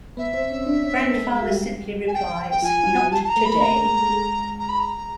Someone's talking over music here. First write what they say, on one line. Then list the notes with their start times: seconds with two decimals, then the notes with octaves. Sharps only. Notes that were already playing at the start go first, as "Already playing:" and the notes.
Grandfather simply replies, Not today.
0.17 B3 B4 E5
0.33 C4 C5
0.50 C#4 C#5
0.66 D4 D5
0.83 C#4 C#5
1.00 B3 B4
1.11 A#4
1.15 A3 A4
1.32 G#3 G#4
1.42 F#4
1.48 G3 G4
2.08 G#5
2.14 G5
2.51 G5
2.62 F3 F4 G#5
2.83 F4
2.87 F#3 F#4
3.11 G3 G4 A5
3.24 A5
3.28 A#5
3.36 A3 A4
3.45 A#3 A#4 B5
3.60 A#3 A#4 A#5
3.85 G#3 G#4
4.01 A4
4.10 G#3 G#4
4.59 A#5
4.69 B5
4.79 A#5